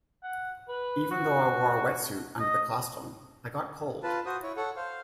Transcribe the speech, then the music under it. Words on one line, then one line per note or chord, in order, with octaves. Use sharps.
Even though I wore a wet suit under the costume, I got cold.
F#5
B4
F#4
D#5
F4 B4 A5
F#4 C5 D#6
E4 C#5
A4 C#5 F#5
C5 F5